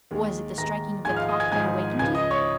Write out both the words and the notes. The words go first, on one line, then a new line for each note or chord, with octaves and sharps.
"Was it the striking of the clock that awakened you?"
D#2 D#3 G#3
D#2 D#3 G#3 A#5 A#6
G#1 G#2 F3 G#3 G#5 G#6
F5 F6
D#5 D#6
G#5 G#6
G#1 G#2 F3 G#3 G#5 G#6
C#2 C#3 F3 G#5 G#6
D#5 D#6
C#5 C#6